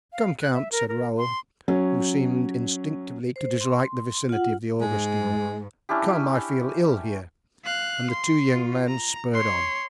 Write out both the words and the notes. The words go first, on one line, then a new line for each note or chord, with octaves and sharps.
"Come, count," said Raoul, who seemed instinctively to dislike the vicinity of the Augustine; "come, I feel ill here," and the two young men spurred on.
F5
F#6
E5
A#4
A#4
C6
F#3 C#4
C5
C6
F4 F#5
G#2 G#3
C#4 D4 E4 G4
F5 F#6
C6
F4
A#5
C#5 C6